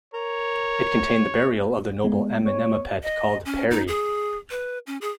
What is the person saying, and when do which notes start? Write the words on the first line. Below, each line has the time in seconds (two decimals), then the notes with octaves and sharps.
It contained the burial of the noble Amenemopet called Pairy.
0.14 A#4 C#5
2.04 G#3 B3
2.45 C#5
3.03 D#5
3.45 C#4
3.71 D#4
3.88 G#4
4.50 B4
4.87 C#4
5.01 G#4